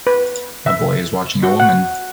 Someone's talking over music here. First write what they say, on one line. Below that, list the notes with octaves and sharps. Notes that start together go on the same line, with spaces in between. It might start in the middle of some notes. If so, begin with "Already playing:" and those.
A boy is watching a woman.
B4
E5
F#4
F#5